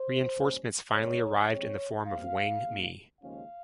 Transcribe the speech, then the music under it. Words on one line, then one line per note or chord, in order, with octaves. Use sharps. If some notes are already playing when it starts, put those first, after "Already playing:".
Reinforcements finally arrived in the form of Wang Mi.
Already playing: C5
A#2 G3 C#4
C#2 C#3 G#3 C4 C#5
F2 C#3 G#3 C4 C#5
A#2 G3 C4 F5
A#2 G#3 D#4
D#2 C#3 F3 G#3 C#4 F5